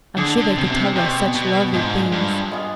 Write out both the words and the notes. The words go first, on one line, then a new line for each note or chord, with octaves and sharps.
I'm sure they could tell us such lovely things.
D3 D4 G#4 D5
D3
C3
B2
C3
B2 C4 G4 D5
B2
G#2 F3 G#3 D4
G2
G#3 B3 F4 G#4